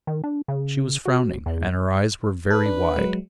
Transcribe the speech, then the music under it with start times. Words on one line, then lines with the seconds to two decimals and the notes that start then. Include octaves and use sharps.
She was frowning, and her eyes were very wide.
0.07 D#3
0.24 D4
0.48 C#3
1.06 F#4
1.46 E2
2.51 A4 B4
2.66 D4
2.96 F#3 G#3